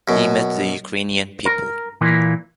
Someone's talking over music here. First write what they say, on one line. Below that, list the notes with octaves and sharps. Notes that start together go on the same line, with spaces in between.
He met the Ukrainian people.
F#2 B2
A#4
A#2 E3 A#3